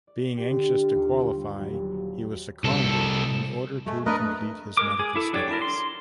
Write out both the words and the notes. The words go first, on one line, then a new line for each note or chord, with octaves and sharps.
Being anxious to qualify, he was seconded in order to complete his medical studies.
D5
G4
D3
F4
D#2
C6
G3
F#3
D#1
C2 A4
G#3 A3
A3 D4 A#4 B4 D#5
G#3 A#4 D6
G#4
E4 A4
F#3 D4 G4 C#5 D5
D4 E4 A#4
C6